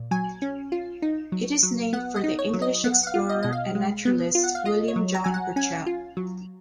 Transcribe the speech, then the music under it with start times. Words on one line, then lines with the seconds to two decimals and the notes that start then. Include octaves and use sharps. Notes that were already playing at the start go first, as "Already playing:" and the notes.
It is named for the English explorer and naturalist William John Burchell.
Already playing: A#2
0.11 F#3 G#5
0.42 C#4
0.72 F4
1.02 D#4
1.32 F#3
1.63 F#3
1.93 B3 F#5
2.16 D#5
2.24 D#4
2.39 C#5
2.53 F#3
2.62 D#5
2.84 B3 F#5
3.03 F#5
3.07 F5
3.14 F4
3.29 D#5
3.43 B2 D#5
3.53 F5
3.75 G#3
4.05 B3
4.35 F4
4.43 F#5
4.55 F5
4.65 F4 D#5
4.88 C#5
4.96 F#3
5.15 A#5
5.24 F#3 G#5
5.34 F#5
5.56 C#4 G#5
5.86 F4
6.17 F#3